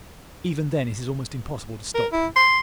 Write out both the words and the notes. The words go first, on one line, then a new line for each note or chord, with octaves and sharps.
Even then it is almost impossible to stop him.
A#4
E4
C6